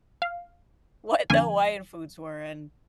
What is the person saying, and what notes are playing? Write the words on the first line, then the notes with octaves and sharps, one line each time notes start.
what the Hawaiian foods were, and,
F5
F2 D3 A#3 G#5